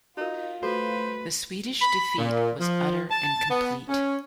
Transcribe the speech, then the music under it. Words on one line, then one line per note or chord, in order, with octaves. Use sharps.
The Swedish defeat was utter and complete.
D#4 F4 F#4 A#4
A3 F#4 A4 B4 C5
B5
A#2
F3
A5
B3
C#4